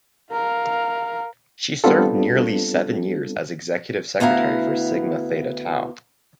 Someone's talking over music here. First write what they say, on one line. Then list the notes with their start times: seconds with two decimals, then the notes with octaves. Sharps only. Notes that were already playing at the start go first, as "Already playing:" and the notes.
She served nearly seven years as executive secretary for Sigma Theta Tau.
0.32 A#4 F5
1.84 G3 B3 C4 D4 F4 A4
4.20 D2 B3 E4 F5 A#5